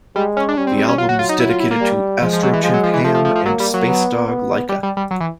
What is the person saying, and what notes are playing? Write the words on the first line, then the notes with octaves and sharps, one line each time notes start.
The album is dedicated to "Astrochimp Ham and Spacedog Laika".
G3 G#3
C#4
D4
G3 C#4
C4
C4
C#4
F#3 F4
F#4
F4
D#4
E4
F4
E4
A#3
G3
F3 G#3
F3
F#3
E3
F3 G#3
F#3
F3
E3
F3 A3
F3
F3
F3
F#3 A#3
G3
F#3
B3
B3
G3
G3
G3
F#3
E3